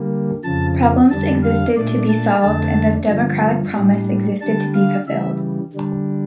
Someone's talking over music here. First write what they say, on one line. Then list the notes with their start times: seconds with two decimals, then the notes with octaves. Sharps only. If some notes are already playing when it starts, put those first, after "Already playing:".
Problems existed to be solved, and the democratic promise existed to be fulfilled.
Already playing: D3 G3 A#3
0.44 F2 C#3 F3 A5
1.10 F2 D3 G3 D4 A5
1.43 F5
1.76 A#2 A3 D4 D5
2.09 A5
2.42 F2 D3 A3 D4 A5
3.08 G2 D3 F3
3.75 A2 G3 D4
4.41 D3 G3 D4 A5
4.74 F5
5.07 C#3 E3 G3 E5
5.73 D3 G3 D4